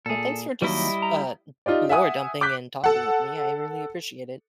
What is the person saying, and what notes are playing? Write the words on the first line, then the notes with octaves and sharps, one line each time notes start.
Well, thanks for just, uh, n lore dumping and talking with me, I really appreciate it.
A#2 G#4 A4
D#2 F#3 G3 E4 D#5
A#5
D#4 F4 G4 D5
E5 F#5 G#5 D#6
D6 F#6 G6 B6
A4 F#5